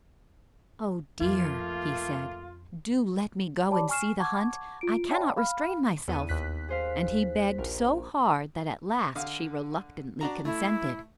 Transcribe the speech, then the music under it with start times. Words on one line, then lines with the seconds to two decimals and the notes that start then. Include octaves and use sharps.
"Oh dear," he said, "do let me go and see the hunt; I cannot restrain myself." And he begged so hard that at last she reluctantly consented.
1.21 F2 A3 A#3 F4
3.70 G4 C#5 D5 A5 B5 D6
3.89 G#5 C#6 F6 C7 E7
4.18 F#5 A5 C#6 D6 G#6
4.81 F4 D7
5.10 C#5 D5 E5 G5 A5 B5
5.37 F5 B5 F6
6.08 E2 B3 D#7
6.29 D#2 F#6 B6
6.69 G#4 C5 F5
7.59 A#1 G4 A#4
9.15 D3 F5
10.21 D4 F#4 A#5
10.45 A3 E4